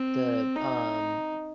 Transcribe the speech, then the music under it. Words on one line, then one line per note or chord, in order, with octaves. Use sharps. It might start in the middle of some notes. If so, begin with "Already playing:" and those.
the, um
Already playing: C4
D#4